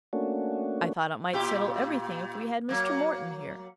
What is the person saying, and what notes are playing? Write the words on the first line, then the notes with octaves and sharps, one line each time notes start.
"I thought it might settle everything if we had Mr. Morton here."
A3 A#3 C#4 D4 F#4
A#2 F4 G4
F#3 A#3